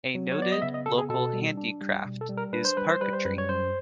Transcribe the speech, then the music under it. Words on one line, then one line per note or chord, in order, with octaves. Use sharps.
A noted local handicraft is parquetry.
F#3
C#5
B3 D5
D#5
C#3 E5
D#5
B3 A4
G#4
B2 A4
G3
D4
G3
B2
A4
G3
A#4
D4 B4
C5
G3 B4
C5
G3 B4
C5
F#2 B4
C#5
F#2 C5